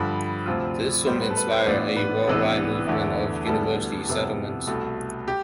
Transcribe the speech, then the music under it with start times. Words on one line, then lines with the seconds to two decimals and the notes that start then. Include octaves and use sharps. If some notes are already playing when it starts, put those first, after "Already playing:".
This soon inspired a worldwide movement of university settlements.
Already playing: G2 D3 F3 B5
0.46 D2 C3 F3 C4 F4
1.07 A2 G3 B3 C5
1.22 B4
1.30 A4
1.37 B4
1.51 C5
1.66 A2 E3 B3 D4 F4 D5
1.96 B4
2.27 C2 C3 E3 B3 D4
2.87 E2 D3 A3 E4
3.47 D2 D3 G3 B3 E4 A4
4.07 F2 C3 G3 B3 E4
4.67 C2 B2 A3
5.28 G4